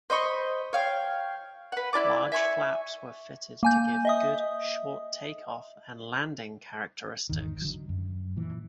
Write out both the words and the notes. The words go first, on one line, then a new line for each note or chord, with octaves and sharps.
Large flaps were fitted to give good short takeoff and landing characteristics.
C5 D#5 B5 C#6
C#5 F5 G5
B4 F#5
E4 F4 D5 D6
E5 G#5 C6 C#6
A#3 G#5 G6
D#5 E5 D#6
G#1 E2 D#3
D3 F#3
F#2
A#2 E3